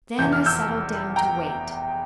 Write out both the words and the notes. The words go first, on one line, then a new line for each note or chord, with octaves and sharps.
Then I settled down to wait.
F1 E2 E3 G6
F6
E6 G6
G5 A#5